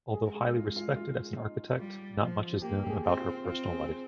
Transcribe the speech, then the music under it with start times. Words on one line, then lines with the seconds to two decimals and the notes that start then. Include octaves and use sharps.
Although highly respected as an architect, not much is known about her personal life.
0.13 G#3 G#4
0.35 G#4
0.55 F4
0.76 F4
0.96 F4
1.38 D#4
1.79 G3 F4
2.20 F3 F4
2.62 A#3 G4
2.84 G4
2.89 G#4
3.04 C4
3.17 F4
3.44 C4 F4
3.72 G#4